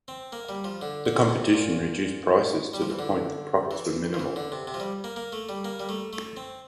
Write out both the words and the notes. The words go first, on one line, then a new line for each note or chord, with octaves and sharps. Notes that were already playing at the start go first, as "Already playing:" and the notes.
The competition reduced prices to the point that profits were minimal.
C4
A#3
G3
F3
D3
D3
A#2
C3
A#2
G3
F3
E3
D3
E3
F3
E3
D3
C3
C3
F3
G3
A#3
A#3
A3
G3
A#3
G3
A3
A3
C4